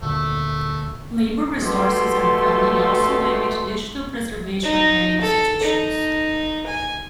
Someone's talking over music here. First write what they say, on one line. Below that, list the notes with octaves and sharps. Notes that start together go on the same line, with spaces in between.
Labour resources and funding also limit digital preservation in many institutions.
D2 A#2 D3 A3
B2 A3 G4 C6
D#4
A4
D#4
G#5